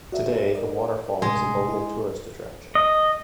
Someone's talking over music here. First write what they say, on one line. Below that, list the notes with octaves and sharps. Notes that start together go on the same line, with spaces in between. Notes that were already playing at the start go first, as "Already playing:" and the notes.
Today the waterfall is a local tourist attraction.
F#4 D5 E5
A#4 D5 D#5
A2 C3 G#3
E4 D#5
D#5